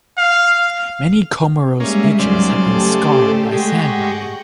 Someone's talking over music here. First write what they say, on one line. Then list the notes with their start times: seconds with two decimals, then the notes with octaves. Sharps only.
Many Comoros beaches have been scarred by sand mining.
0.18 F5
1.80 G3 G#3 A#3 C#4 E5
2.19 D#2 C#3 F#3 C5 D5 F6
2.62 A3 G4 A4
3.52 G#3 G4 F#5 C#6 A#6